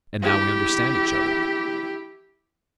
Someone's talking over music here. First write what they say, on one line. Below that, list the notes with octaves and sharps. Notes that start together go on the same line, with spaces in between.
"And now we understand each other."
E4 G4